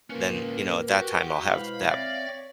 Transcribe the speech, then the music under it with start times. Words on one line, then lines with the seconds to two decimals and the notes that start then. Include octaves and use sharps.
then, you know, at that time, I'll have that
0.10 A2 A#3 C#4 F4 A#4 B4
0.89 F#4 G4
1.54 B2 G#3 E4 B4 C5 F5 B5
1.90 C4 C#5 D5 E5 A#6